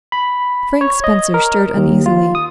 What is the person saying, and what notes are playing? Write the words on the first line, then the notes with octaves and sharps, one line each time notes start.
Frank Spencer stirred uneasily.
B5
C#5
D#5
A#4
D#2
F4
D#6